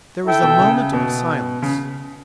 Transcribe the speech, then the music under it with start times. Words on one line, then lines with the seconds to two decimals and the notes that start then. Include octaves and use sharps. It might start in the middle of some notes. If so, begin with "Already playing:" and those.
There was a moment of silence.
0.25 E4 A4 E5 G5
0.42 B2
0.59 C#3
0.93 B2
1.62 C#3